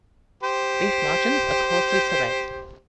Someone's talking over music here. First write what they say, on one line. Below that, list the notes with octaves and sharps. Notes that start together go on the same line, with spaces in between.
Leaf margins are coarsely serrate.
G4 C5